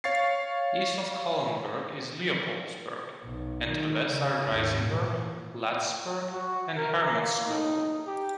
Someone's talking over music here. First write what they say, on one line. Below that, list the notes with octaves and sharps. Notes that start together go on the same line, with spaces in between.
East of Kahlenberg is Leopoldsberg; and to the west are Reisenberg, Latisberg, and Hermannskogel.
C#5 F5 C#6 A6 C7
B1
D#3
C#3
G#1 D#2
A#2 E3
F#4
A#4
A#3
D#4
G4